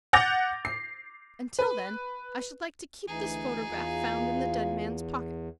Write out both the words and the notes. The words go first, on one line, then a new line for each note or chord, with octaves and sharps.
Until then I should like to keep this photograph, found in the dead man's pocket.
F#5 D6 G6 A6 A#6 F7
C7
B4
D2 E3 D#4 G#4
E2 F4